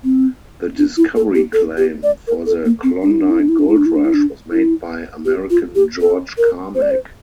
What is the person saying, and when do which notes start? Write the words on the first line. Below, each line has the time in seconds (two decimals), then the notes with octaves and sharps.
The discovery claim for the Klondike gold rush was made by American George Carmack.
0.04 C4
0.78 D4
0.97 E4
1.16 A4
1.35 G4
1.53 A4
1.78 G4
2.03 D5
2.27 A#4
2.46 A4
2.65 A#3
2.83 C4
3.02 D4
3.11 E4
3.21 D4
3.30 E4
3.40 D4
3.49 E4
3.59 D4
3.68 E4
3.77 D4
3.86 E4
3.96 D4
4.05 E4
4.14 D4
4.51 E4
5.25 G4
5.50 F4
5.75 G4
6.01 A4
6.38 A#4
6.75 C5
6.82 D5
6.91 C5